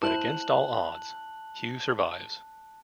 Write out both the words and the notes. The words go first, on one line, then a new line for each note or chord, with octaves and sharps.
But against all odds - Hugh survives.
E4 C5 A5 F#6 F#7